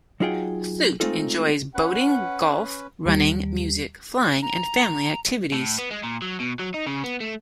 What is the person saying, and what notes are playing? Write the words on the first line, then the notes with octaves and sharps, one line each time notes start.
Thuot enjoys boating, golf, running, music, flying and family activities.
F#3 D#4 F4 G#4 F#5 G5
G#3 A3 C4 D#4 F4 A4
C#4 B4 F#5
D#2 G3
A#5
A2
B3
G#3
A#2
F#3
B2
F#3
D#4
C#3
B3
A3